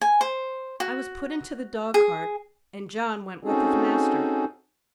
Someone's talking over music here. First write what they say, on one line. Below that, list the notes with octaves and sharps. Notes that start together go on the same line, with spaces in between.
I was put into the dog-cart, and John went with his master.
G#5
C5
F#4
G#4
C4 C#4 D#4 F#4 G#4 A4